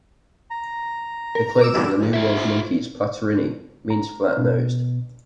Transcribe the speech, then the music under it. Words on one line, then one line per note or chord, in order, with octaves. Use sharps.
The clade for the New World monkeys, Platyrrhini, means "flat nosed".
A#5
A#4
D6 E6
F4 E5
A#5
B2